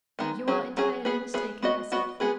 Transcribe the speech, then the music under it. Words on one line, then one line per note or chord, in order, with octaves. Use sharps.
"You are entirely mistaken," I said.
D#3 G#3 B3
F#3 C#4 G#4
F#3 C#4 G#4
B3 G#4 B4
B3 G#4 B4
B3 F#4 B4 D#5
B3 F#4 B4 D#5
G#3 B3 G#4 B4